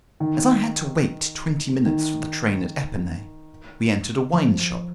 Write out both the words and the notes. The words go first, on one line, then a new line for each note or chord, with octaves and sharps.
As I had to wait twenty minutes for the train at Epinay, we entered a wine shop.
D#3
D#3
F3